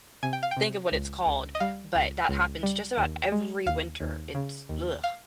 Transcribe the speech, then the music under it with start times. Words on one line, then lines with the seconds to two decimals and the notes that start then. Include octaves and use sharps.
think of what it's called, but that happens just about every winter. It's blegh.
0.23 C3 G#5
0.33 G5
0.43 F5
0.51 G5
0.57 C3
0.92 C#2
1.26 C#2
1.55 D#5
1.60 G3 F5
1.95 C#2
2.29 C#2
2.63 G3
2.97 D#2
3.32 G#3
3.66 D#2 F5
4.00 D#2
4.35 C#3
4.69 D#2
5.04 F5